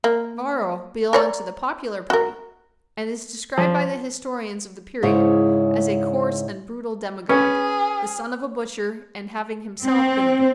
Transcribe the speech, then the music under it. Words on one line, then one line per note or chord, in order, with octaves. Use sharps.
Varro belonged to the popular party, and is described by the historians of the period as a coarse and brutal demagogue, the son of a butcher, and having himself been a butcher.
A#3
A#4 C#5 D5
F#4 A#4
F3
G#2 C#3 E4 G#4 C5 C#5
C#4 G#4 B4
C4